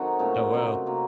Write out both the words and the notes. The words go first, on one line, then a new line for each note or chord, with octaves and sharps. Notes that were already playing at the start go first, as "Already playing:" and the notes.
Oh, well.
Already playing: D#3 F#3 C4 D#4 F#4 A4
A#2 A3 C#4
C3 F#3 C4
C3 F#3 A#3